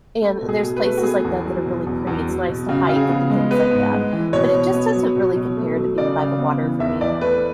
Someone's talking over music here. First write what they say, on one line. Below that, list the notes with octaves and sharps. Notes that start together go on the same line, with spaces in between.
and there's places like that that are really pretty, it's nice to hike, and do things like that, but it just doesn't really compare to being by the water for me.
A3
B2
G#4
B2
B4
A3
F#4
B3 G#4
E2
F#3
B2
E2
E2
F#3
B2
C#3 F#4
C#3
G#4
B3
G#3
B3 B4
G#2
G#3
E3
B2 C#5
B2
B3
F#3
B2
B2
A3
F#3
C#3 D5
C#3
B3
E3
E2 E5
E2 D5
A3 B4